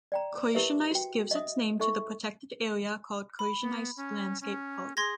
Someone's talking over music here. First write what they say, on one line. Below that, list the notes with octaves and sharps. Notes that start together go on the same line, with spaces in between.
Kozienice gives its name to the protected area called Kozienice Landscape Park.
D5 G5 A#5
E4 G4 A#4 B4 E5
F#4 G5
D#5 E5 D#6
D#4 A4 E5 C#6
B5
B3
C#4
C#4
G#4 C6 G#6 A#6